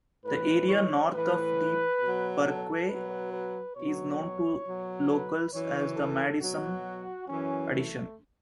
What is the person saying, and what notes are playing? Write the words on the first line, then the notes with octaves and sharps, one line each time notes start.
The area north of D Parkway is known to locals as the "Madison Addition".
A2 E3 B4
C#5
A2 E3 B4
B2 F#3
A4
B2 F#3 B4
B4
B2 F#3 C#5
B2 F#3
B4
F#2 E3 C#5
A4
B2 F#3 F#4
F#2 E3 C#4
A3